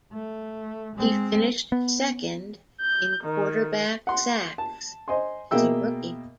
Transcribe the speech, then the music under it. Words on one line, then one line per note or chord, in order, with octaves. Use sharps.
He finished second in quarterback sacks as a rookie.
A3
G#3 C4
B3
G6
D#3
F#5 C6
A5
C5 D#5 G#5 C6
B2 A#3 G#4 E5 G5 E6